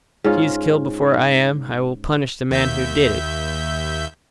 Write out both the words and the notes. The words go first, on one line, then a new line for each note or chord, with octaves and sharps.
If he is killed before I am, I will punish the man who did it.
G#2 C#4 F4
D#2 E5 G6